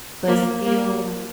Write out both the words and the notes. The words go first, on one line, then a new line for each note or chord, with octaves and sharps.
but still, like,
A#3
A#3